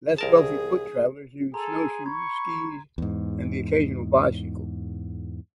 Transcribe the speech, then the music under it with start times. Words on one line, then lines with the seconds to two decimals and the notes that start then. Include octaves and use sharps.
Less wealthy foot-travelers used snowshoes, skis, and the occasional bicycle.
0.18 C2 G#4 A#4 A5
1.54 G#4 A4 A#5 C6
2.06 B5 C#6 G#6
2.98 E2 G#2